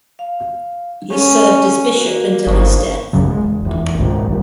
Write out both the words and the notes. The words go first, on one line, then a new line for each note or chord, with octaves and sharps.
He served as bishop until his death.
F5
C#4 A4
A#3 F#4
G1 D#4 C5 C#6
B1 F#2 C#3 F#3
G#3
E1
F1 E2
C#2 G#2 B2 D#3
B1 G2